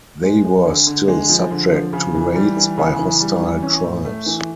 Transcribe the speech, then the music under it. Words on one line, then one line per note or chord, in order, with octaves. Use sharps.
They were still subject to raids by hostile tribes.
G#3
G#3
D3
D3
G#3
F3
D3
F3
C#3
E3
G3
E3
C#3
E3
G3
E3
C#4
A2
A3
E3